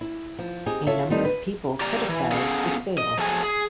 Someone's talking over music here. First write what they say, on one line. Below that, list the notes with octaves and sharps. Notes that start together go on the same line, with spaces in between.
A number of people criticized the sale.
E4
F3
C4 D#4 G4 G#4
E4 F4 A4 C#5 E5
G3 C4 D#4 A4
B4
G4 D5 A#5
E3
B3 C#4 G#4 A4 F5 F#5
D#5
F3 F#3 G#4 A4 D#5 G#5
G#4